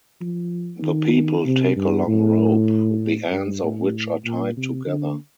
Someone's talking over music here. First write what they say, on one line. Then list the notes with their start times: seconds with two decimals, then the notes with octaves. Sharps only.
The people take a long rope, the ends of which are tied together.
0.21 F3
0.82 D#3
1.45 C3
1.76 G2
2.07 A2
3.31 G2
3.63 A2
4.25 A#2
4.57 C3
4.87 D3